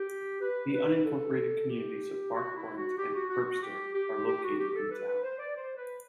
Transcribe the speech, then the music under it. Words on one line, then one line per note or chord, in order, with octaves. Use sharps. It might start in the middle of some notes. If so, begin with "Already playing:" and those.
The unincorporated communities of Bark Point and Herbster are located in the town.
Already playing: G4
B4
B4
A4
G4
F#4
E4
F#4
G4
F#4
F#4
F#4
G4
G4
G4
F#4
G4
A4
B4
B4
C5
D5
C5
B4